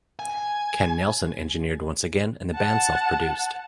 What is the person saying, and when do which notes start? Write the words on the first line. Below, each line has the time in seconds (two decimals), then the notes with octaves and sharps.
Ken Nelson engineered once again and the band self produced.
0.19 G#5
2.54 F#5 A5